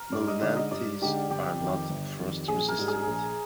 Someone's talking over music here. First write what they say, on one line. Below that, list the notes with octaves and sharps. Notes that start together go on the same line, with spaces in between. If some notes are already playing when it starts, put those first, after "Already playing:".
"Monanthes" are not frost-resistant.
Already playing: A#4
G2 D5
D#5
D3 G#3 D#4 D5
D#5
G2 D5
D3 G#3 D#4 G4
G1 G4
F2 D#3
G1
F2 D#3
A#1 G#4
A#4
G#2 G3 D4 G4
G#4
A#1